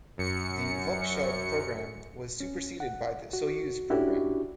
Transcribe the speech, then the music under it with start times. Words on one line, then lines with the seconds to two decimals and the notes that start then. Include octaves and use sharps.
The Voskhod programme was superseded by the Soyuz programme.
0.18 F#2 C#7
2.40 C#4
2.80 F#5
3.33 F#4
3.90 C#4 D4 E4 F#4 G4